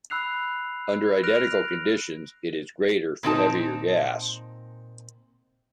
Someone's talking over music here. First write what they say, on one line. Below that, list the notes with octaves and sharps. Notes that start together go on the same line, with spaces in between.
Under identical conditions, it is greater for heavier gas.
B5 E6 F#6 C7 F7
F6 F#6 A#6 D7 F7
A#2 C4 D#4 A5